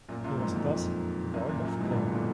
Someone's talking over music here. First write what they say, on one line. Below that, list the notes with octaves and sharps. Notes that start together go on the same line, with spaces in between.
He was thus Lord of Clare.
F#2 A#2
F#2 A#2
F2 G#2
F2
F#2
F#2 A#2
F#2 A#2
G#2 B2
D3
G#2 B2
A#2 D3